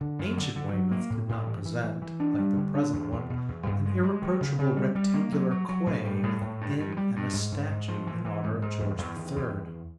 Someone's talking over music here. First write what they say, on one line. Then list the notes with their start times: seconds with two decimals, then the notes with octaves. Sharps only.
Ancient Weymouth did not present, like the present one, an irreproachable rectangular quay, with an inn and a statue in honour of George III.
0.01 D3
0.19 F#2
0.38 D3
0.56 D3
0.73 F#3
0.91 A#3
1.10 A2
1.29 A2
1.47 E3
1.65 E3
1.83 E3
2.02 E3
2.20 D4
2.39 G3
2.57 D3
2.75 D4
2.93 E2
3.12 E2
3.30 B2
3.48 E2
3.66 G2
3.86 G#3
4.03 G#3
4.22 D#3
4.41 C#3
4.59 C#3
4.76 G3
4.95 G3
5.14 A#3
5.32 F#3
5.51 F#3
5.69 F#3
5.86 A2
6.05 G3
6.23 A2
6.42 A2
6.61 G2
6.79 G2
6.97 G3
7.16 G2
7.33 G#2
7.52 G#2
7.70 G#2
7.88 F3
8.07 E3
8.25 E3
8.44 G#2
8.62 G#2
8.80 E2
8.98 E2
9.17 D#3
9.36 E2